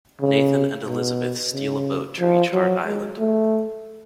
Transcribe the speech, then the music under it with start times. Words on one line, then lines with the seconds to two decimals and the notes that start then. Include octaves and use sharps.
Nathan and Elisabeth steal a boat to reach Hart Island.
0.20 C#3
0.87 B2
1.54 C#3
2.20 F3
2.53 F#3
2.85 G#3
3.18 A3